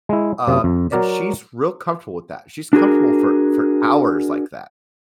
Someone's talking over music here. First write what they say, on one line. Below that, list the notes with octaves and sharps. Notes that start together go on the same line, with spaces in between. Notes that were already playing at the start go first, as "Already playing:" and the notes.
Um, and she's real comfortable with that. She's comfortable for for hours like that.
G#3 E4
F#2 C3
F2
F#3 F#4 A#4 D5
D4 F#4 G#4 A#4